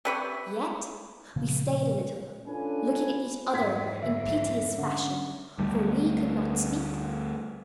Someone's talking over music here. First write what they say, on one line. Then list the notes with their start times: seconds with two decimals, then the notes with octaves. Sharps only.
Yet we stayed a little, looking at each other in piteous fashion, for we could not speak.
0.05 C3 B4 C#5
1.36 A#2 C#3 F3
2.47 C#4 D4 F4 A4 B4 G#5
3.53 F2 G#2 E3 F#5 G#6 B6
4.03 G1 E5
4.78 D3 C#4
5.58 D2 G3 A3